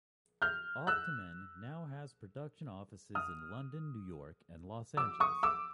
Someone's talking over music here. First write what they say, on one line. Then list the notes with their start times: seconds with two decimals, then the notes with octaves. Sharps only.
Optomen now has production offices in London, New York and Los Angeles.
0.42 F6 G6
0.87 E6 F#6
3.15 D#6 F6
4.97 D6 E6
5.20 C#6 D#6
5.43 D6 E6